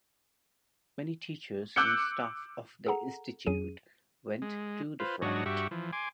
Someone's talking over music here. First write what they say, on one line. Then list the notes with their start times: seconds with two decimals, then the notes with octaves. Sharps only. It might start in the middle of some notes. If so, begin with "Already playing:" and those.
Many teachers and staff of the Institute went to the front.
1.76 D6 E6 F#6 G6 C#7
2.87 G#4 A4 F#5 A#5
3.46 F2 F#3 C#4 G#4 D#7
4.42 G#3
5.00 F4 B4 C5
5.22 G#2 F#3 D4 F#4 C#5 D#5
5.46 G2 F#4 G4 E5 C#6
5.71 E3 F3
5.93 G#5 C6 D6